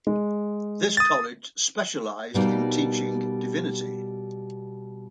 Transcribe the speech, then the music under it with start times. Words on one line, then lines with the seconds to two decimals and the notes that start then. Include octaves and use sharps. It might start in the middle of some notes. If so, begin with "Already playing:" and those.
This college specialised in teaching Divinity.
0.07 G#3
0.97 D#6 A6
2.34 B2 G3 A#3 D#4